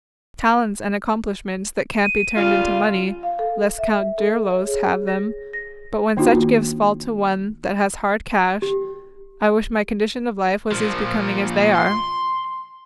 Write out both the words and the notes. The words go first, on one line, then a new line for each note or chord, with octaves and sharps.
Talents and accomplishments that can't be turned into money, let Count Dirlos have them; but when such gifts fall to one that has hard cash, I wish my condition of life was as becoming as they are.
D#7
C#3 G3 F4
F5
A4
E5
A4
C#5
G#4
A#6
A#6
D#3 A#3 D4 D#4 F4 F#4
G4
A#2 F3
C6